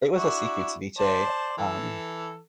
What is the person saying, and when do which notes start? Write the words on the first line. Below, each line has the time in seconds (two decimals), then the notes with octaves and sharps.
it was a seafood ceviche. Um,
0.16 D4 E4 F#4
0.99 C5 D5 A5
1.58 E3 A4